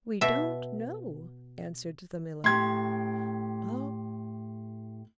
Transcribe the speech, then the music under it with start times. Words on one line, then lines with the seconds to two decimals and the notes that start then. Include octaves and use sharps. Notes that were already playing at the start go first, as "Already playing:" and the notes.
'We don't know,' answered the miller.
0.21 B2 E5
2.44 A2 G4 C6 G#6